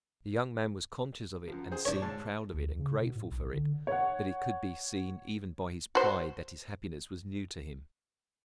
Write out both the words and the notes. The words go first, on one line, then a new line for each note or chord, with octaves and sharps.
The young man was conscious of it and seemed proud of it and grateful for it; but it could be seen even by his pride that his happiness was new to him.
F#2 F3
G#4 C5
D4 C#5
G#2 A5
D2
C#3
B2
A2
B1
D3
C#5 F#5
F#4 C5